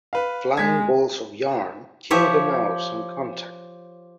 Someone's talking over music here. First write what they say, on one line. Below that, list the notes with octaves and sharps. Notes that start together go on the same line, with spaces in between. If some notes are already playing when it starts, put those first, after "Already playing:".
Flying Balls of Yarn kill the mouse on contact.
B4 F5
G#3 G#6 B6
F3 G4 C#5 E5